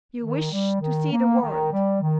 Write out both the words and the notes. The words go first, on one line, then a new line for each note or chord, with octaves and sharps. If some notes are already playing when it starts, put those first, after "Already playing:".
'You wish to see the world.
D#3
G3
D#3
A#3
D#3
G3
D#3